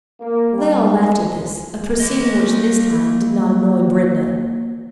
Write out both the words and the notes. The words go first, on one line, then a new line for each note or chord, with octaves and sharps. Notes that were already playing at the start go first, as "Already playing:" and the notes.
They all laughed at this, a proceeding which this time did not annoy Brenda.
A#3
G3
A#3 D#5